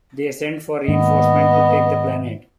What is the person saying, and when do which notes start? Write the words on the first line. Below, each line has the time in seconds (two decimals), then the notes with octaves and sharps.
They send for reinforcements to take the planet.
0.88 G#2 D#3 A#3 B3 D#5